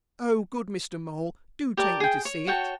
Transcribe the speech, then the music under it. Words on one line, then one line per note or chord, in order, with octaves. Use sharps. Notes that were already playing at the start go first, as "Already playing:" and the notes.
'Oh! good Mr. Mole, do take me to see it!'
G4 A#4 D5 A5
G#4 G5
C#5
F#4 C#5 G5 A5